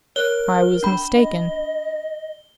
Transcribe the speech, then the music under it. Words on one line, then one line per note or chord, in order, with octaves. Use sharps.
I was mistaken.
A#4 C#5 F#6 G7
D4 B5
D#5